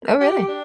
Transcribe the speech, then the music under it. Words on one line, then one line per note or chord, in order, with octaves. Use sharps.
Oh, really?
G4
D4